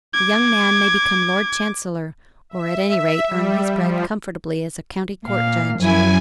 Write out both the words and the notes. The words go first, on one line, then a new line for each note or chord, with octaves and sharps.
The young man may become Lord Chancellor, or at any rate earn his bread comfortably as a county court judge.
D6 G#6
E5
E5
G3
F3
A#2 F5
F#2 F3 E4 G#5